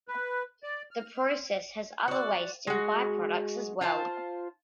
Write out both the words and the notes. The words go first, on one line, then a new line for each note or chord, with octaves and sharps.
The process has other waste and byproducts as well.
B4
D5
F6
F#4 D5
G#3 F#4
F4 C5 A5